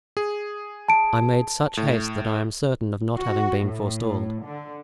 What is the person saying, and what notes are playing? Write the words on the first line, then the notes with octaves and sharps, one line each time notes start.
I made such haste that I am certain of not having been forestalled.
G#4
A5 D7
A2
F#4
A2
D3